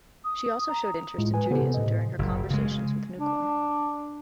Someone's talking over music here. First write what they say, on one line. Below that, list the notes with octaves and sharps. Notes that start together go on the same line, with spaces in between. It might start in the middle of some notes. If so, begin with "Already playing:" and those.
She also showed interest in Judaism during her conversations with Nuklon.
D#6
A#5
A2 G#3 E4 F4
B4 G#5
C#3 B3 G4 A4 C5
C3
A2 D#5
F#1
C#3 G#3
D4